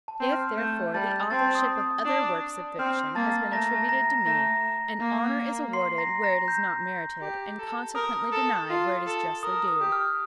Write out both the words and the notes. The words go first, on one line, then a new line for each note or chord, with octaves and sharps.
If, therefore, the authorship of other works of fiction has been attributed to me, an honour is awarded where it is not merited; and consequently, denied where it is justly due.
A5
C4
F6
A3 G6
G3 A5 A6
C4 A5 A6
D#6
D#6
D4
C4 F6
A#3 A5 A6
A3 A#5 A#6
A#5 A#6
A3 A#5 A#6
A#3
C6 C7
A#5 A#6
A#5 A#6
G6
G4
A4
A#4 D#6
A4
F4
A4
A#4 D#6
D#6
G4
F6